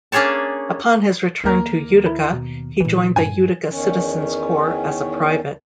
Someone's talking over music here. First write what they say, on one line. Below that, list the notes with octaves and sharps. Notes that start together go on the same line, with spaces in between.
Upon his return to Utica, he joined the Utica Citizen's Corps as a private.
A#3 C#4 D4 G#4 C#5 A5
D#2 A#3 A#4
E4
B2
A#2 E3 E4
G2 G#5
E2 D#3 C#4